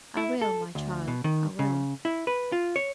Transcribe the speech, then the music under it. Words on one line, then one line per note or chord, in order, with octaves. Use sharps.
I will, my child, I will.
E4
A4
D2
B2
D#3
C#3
E4
B4
F4
C#5